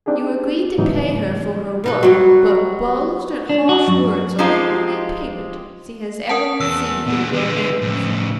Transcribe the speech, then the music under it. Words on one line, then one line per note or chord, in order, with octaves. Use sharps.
You agreed to pay her for her work, but blows and harsh words are the only payment she has ever received at your hands.
C4 D4 D#4 G4 G#4
G#2 C#3 E3 F#3 B3 D#4
B2 D#4 B4
F#3 G3 F#4
D4
F#4
F#2
F3 G#3 C4 D#4 F4 G4
A#4 F#5 A5
E2 E6
A#2 E3 B3
D3 G#3 B4
A2 C#3 F3